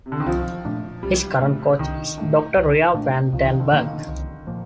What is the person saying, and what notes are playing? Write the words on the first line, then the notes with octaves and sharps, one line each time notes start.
His current coach is Doctor Ria van den Berg.
C3
D3
D#3
C2 F3
A#2 A3 D4
C2 G3
A#2 A3 D4
C2 D#3
A#2 A3 D4
C2
A#2 A3 D4
C2 F3
D#3
D3
A#2 D#3 F3 A#3
C2
A#2 F3 A#3